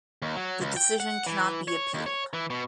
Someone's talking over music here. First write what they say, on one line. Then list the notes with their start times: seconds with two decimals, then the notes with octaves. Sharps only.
The decision cannot be appealed.
0.22 D#2
0.35 F#3
0.61 C#2
0.77 G5
1.00 F#5
1.26 E3
1.68 C#5
1.94 D#2
2.06 C#5
2.33 E3
2.50 B2